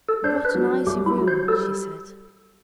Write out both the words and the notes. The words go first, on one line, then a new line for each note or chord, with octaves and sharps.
'What an icy room!' she said.
A4
D4 C5
B4
F#3
C2 G4
E4
F#3
C5
G3 A4